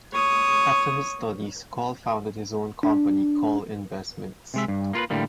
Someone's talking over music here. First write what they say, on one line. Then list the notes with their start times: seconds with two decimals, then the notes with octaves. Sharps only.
After his studies Kohl founded his own company "Kohl Investments".
0.12 C#5 D#6
2.83 D4
4.54 C3 G#3 E5
4.68 G2
4.93 A#3 F4 A#4 B4
5.10 A2 D3 G3 A#3